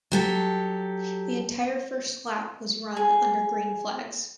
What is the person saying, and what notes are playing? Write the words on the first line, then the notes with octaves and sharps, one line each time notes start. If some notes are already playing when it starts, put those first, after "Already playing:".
The entire first lap was run under green flags.
F#3 G4 A4
G#4